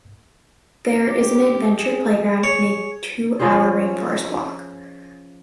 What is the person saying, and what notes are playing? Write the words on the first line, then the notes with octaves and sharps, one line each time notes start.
There is an adventure playground and a two-hour rainforest walk.
G4
G#4
C#5
F3 C#4 G#4 C5